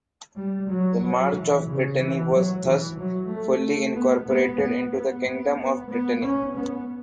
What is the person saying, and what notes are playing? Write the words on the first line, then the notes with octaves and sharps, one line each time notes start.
The March of Brittany was thus fully incorporated into the kingdom of Brittany.
G3
F#3
F#3
E3
C#3
E3
F#3
E3
F#3
A3
B3
B3
B3
B3
B3
B3
B3
C#4
B3